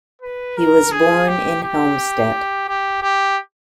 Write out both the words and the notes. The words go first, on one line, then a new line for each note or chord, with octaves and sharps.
He was born in Helmstedt.
B4
A#4
G#4
G4
G4
G4
G4